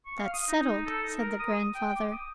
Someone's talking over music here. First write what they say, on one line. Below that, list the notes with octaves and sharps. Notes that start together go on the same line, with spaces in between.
"That's settled," said the grandfather.
C#6
F5
D#6
D#4
A4
D#4
A#4
D#6
G5
D6
D#6